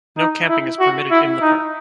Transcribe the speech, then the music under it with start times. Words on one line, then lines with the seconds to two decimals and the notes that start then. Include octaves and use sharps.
No camping is permitted in the park.
0.17 D#4
0.48 E4
0.80 F#4
1.10 E4
1.42 D#4